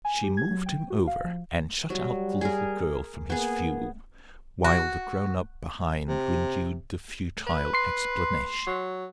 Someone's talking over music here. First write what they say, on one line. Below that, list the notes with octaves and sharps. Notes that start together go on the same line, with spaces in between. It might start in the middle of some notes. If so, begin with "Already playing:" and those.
She moved him over, and shut out the little girl from his view, while the grown-up behind renewed the futile explanations.
G#5
G4
G#6
F#3
G5
F#4
F5
F3
F#3 G3
G#4 A#4
A#3 B3 G#4
F#4
C3
B4
C6 C7
F#3